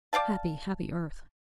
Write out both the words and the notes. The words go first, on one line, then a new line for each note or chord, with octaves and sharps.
Happy, happy earth!
D5 F5 G5 A5